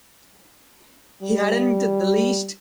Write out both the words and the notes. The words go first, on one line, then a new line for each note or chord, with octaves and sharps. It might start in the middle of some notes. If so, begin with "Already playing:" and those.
He hadn't the least.
G3